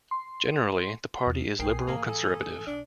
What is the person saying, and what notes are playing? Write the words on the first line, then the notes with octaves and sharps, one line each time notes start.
Generally, the party is liberal conservative.
C6
E2
B1 G#4 A#4 G5 C7
A2 E3 A#3 F5 G#5 A#5
A4
B1 D4